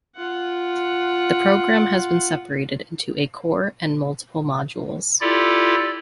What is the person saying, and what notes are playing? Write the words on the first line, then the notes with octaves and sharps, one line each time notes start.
The program has been separated into a core and multiple modules.
F4 F#5
E4 F4 G4 A4 D5